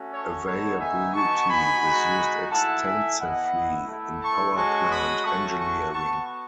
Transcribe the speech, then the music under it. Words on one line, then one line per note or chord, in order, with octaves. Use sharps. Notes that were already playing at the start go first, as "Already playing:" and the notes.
Availability is used extensively in power plant engineering.
Already playing: A3 C#4 F#4
A4 C#5
B3 D#4 F#4 A4 C#5
E5 G#5
B3 D#4 F#4 A5 C#6
G#5 B5
G#3 D#4 F#4
A3 E4 F#5 A5
E5 G#5
B3 E4 D#5 F#5
A3 E4
A5 C#6
G#3 C#4 F#4 A5 C#6
B5 D#6
A3 C#4 F#4 A5 C#6
A5 C#6
B3 F#4 A5 C#6